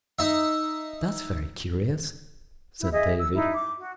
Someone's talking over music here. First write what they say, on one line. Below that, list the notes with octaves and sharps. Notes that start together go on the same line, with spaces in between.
"That's very curious," said Davy.
D#4 E5
E4
G#4 D#5 E5
E6
D#4 E4
D6
F#4